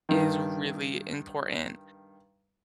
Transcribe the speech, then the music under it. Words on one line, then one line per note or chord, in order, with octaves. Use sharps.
is really important.
G2 D#3